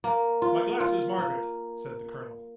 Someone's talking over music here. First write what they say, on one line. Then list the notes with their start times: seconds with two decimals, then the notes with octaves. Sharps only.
"My glasses, Margaret!" said the colonel.
0.04 A#3
0.42 F4
0.80 F4
1.18 A#3